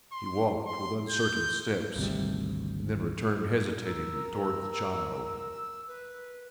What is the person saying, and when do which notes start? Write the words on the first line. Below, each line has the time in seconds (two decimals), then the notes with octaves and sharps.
He walked with uncertain steps and then returned hesitatingly towards the child.
0.12 C6
0.66 C6
1.09 G6
1.96 G#1 D2 C3 G3
3.86 A#4 E6
5.87 B4